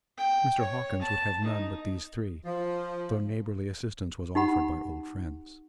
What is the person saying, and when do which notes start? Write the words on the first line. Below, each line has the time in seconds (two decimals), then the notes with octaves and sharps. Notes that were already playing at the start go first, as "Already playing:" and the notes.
Mr. Hawkins would have none but these three, though neighborly assistance was offered by old friends.
0.18 G5
0.59 C#5
1.02 A5
1.44 D#4
2.45 F3
4.35 D#4 G4 F#5 B5